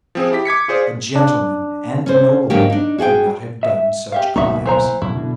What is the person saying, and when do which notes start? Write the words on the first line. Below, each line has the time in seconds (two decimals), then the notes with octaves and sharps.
"A gentleman and a nobleman could not have done such crimes."
0.15 F3 C4 G#4
0.31 E4 G4 B6
0.45 D6 G#6 B6 C#7
0.68 F4 G#4 C5 D5
1.16 D4
2.06 C#4 C5
2.50 G#2 D3 F#3 A#3 F#4 G4
2.70 D4 D#4
2.98 F#4 G#4 F#5 G5
3.63 E5
4.12 G4 E5 F5
4.36 D1 B1 A#3 D#4 F#4 E5
4.66 E3 C5 A#5
5.02 F#2 B2 E4
5.16 B2 D3